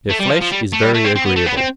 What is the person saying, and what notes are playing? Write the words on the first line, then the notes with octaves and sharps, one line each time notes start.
Their flesh is very agreeable.
A3
G3
F3
F3
G3
A3
G3
A3
C4
C4
B3
A3
B3
C4